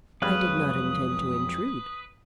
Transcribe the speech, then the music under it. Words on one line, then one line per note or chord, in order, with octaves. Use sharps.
"I did not intend to intrude."
F2 F#3 G#3 B4 C#5 F5 D#6